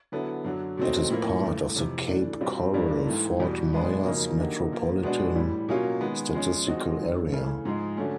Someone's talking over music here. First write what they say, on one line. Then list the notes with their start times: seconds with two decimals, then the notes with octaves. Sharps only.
It is part of the Cape Coral-Fort Myers Metropolitan Statistical Area.
0.12 D3 F#3 B3 E4 A4
0.45 F#2 D3 F#3
0.78 B2 F#3 A3 C4 D#4
1.10 A2 F3 A#3
1.43 G2 E3 A3
1.76 F2 C3 E3
2.08 E3 A3 D4
2.41 B2 G3 C4 F4
2.74 G2 E3 G3 A#3 D4
3.07 G#2 E3 A3
3.40 E2 B2 G3
3.72 B2 G#3 B3 D4
4.04 F2 C#3 F#3 A#3 D#4
4.37 D3 F#3 A#3 D#4 G4
4.70 A#2 F3 A#3
5.03 B2 G#3 B3 D4 F#4
5.35 A2 E3 G3
5.69 B2 F#3 A#3 C#4 F4
6.01 D#3 G#3 B3
6.34 F3 G#3 C#4
6.66 F3 G#3 C4 D#4 F#4
6.99 F#2 D#3 F#3
7.32 C#3 E3 A3
7.65 G#2 F3 G#3
7.97 D3 F#3 A3 C#4